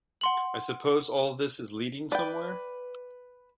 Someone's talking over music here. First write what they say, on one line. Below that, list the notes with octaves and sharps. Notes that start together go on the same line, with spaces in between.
I suppose all this is leading somewhere?
F#5 C6 F#7
B4 D5 G5